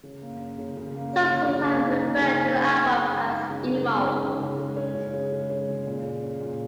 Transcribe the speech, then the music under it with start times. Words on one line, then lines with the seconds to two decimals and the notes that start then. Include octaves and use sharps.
Some sources have referred to the album as "emo".
0.03 C#3
0.22 A#3
0.40 C#4
0.58 C#3
0.77 C#3
0.95 A#3
1.13 C#4
1.31 C#3
1.49 C#3
1.67 A#3
1.86 D#4
2.04 C#3
2.22 C#3
2.41 A#3
2.58 D#4
2.77 C#3
2.95 C#3
3.13 G#3
3.31 D#4
3.50 C#3
3.67 C#3
3.86 G#3
4.04 D#4
4.23 C#3
4.40 C#3
4.58 G#3
4.77 C#4
4.95 C#3
5.14 C#3
5.32 G#3
5.50 C#4
5.69 C#3
5.86 A#2
6.05 G#3
6.23 C#4
6.41 A#2